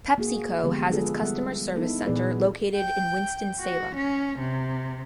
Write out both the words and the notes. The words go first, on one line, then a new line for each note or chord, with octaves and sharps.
PepsiCo has its Customer Service Center located in Winston-Salem.
A#3 F#4 G#4
D3 E3 F3 G#3 B3 G4
G#3 D4 F4 G#4 A4 B4
G3 B3 A4 E5 F#5
B3 D#4 E4 A4
A#2 E3 B3 G#4 B4 D5
G5
F#4
C#4
C3